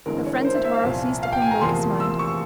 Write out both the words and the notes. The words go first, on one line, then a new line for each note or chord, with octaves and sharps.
A frenzied horror seized upon Loki's mind.
G1 G2 E3 G#3 C4 A#4
C#5
A#4
C5
E5
E5
F5
C2 A#2 F3
F5
G5
G#5
A#5
F1 E2 C3 F3 A#3 C6
E6
C#6